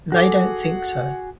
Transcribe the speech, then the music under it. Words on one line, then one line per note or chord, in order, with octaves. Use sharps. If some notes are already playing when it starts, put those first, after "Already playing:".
They don't think so.
F#4 G#4 A4 F#5 D6